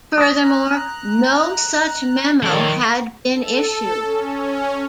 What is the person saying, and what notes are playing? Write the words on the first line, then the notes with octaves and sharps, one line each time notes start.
Furthermore, no such memo had been issued.
D#6 A#6
A#5 F#6
D#3 F3 A4 C#5 D5 A5
A4
C#4